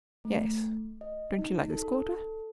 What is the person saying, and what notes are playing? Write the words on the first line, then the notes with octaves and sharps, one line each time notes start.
"Yes; don't you like this quarter?"
A3
D#5
D#4
A4